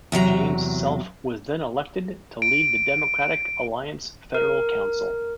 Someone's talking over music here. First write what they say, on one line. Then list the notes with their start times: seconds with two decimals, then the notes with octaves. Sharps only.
James Selfe was then elected to lead the Democratic Alliance Federal Council.
0.12 E2 C3 F#3 A#5
2.42 D7
4.34 A#4